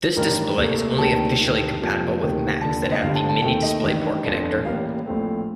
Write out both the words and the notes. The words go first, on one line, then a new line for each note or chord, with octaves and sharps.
This display is only officially compatible with Macs that have the Mini DisplayPort connector.
A1 G2 D#3 A#4
C2 A#2 A3
D2 C3 D#3 G3 A#3 A5
D2 C3 D#3
F2 C3 F3 A#3
D2 C3 D#3 A#3
F1 D#2 D3 A5
C5
D#5
G1 G2 D3 G3 F5
A5
A5
D#2 D#3 A3 C4 G5
D#5
A1 G2 D#3
G1 F2 D3
A1 A2 G3 A#3 F5
A#1 A2 A3 C4